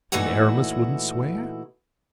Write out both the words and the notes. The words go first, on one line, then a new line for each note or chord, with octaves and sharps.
"And Aramis wouldn't swear?"
A#2 E3 A3 D#4 E4 F#4